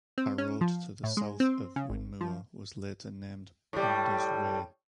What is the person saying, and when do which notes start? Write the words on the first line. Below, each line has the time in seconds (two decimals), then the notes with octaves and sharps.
A road to the south of Whinmoor was later named Penda's Way.
0.18 C4
0.38 C#4
0.61 F3
1.03 A2
1.17 G#3
1.40 C4
1.76 C#3
1.90 G#1
2.21 F3
3.73 A2 G3